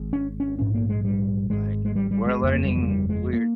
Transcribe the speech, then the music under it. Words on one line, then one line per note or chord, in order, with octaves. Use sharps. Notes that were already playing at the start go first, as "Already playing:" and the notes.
Right, right. Like, we're learning weird
Already playing: G#1 G#2
C#4
C#4
A#1 G#2 C#4
A#3
G#3
G3
G#1 G#2 G#3
G#3
G3
G3
G#3
G1 F2 C#3 A#3
A#3
G3
F3
G#3
G3
G#3
A#3